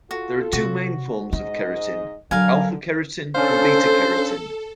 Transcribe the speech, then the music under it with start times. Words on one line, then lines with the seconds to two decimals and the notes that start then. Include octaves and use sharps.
There are two main forms of keratin, alpha-keratin and beta-keratin.
0.11 F4 F#4 A4
0.53 C3 F#4
1.33 G#2 D#4 D#5
2.31 D3 F#3 A#4 F5 G#5
3.35 C#4 D4 A4 C5 F5